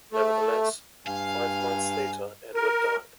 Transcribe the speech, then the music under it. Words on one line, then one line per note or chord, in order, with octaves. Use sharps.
Nevertheless, five months later Edward died.
A3
G2 F5 G#5
A#4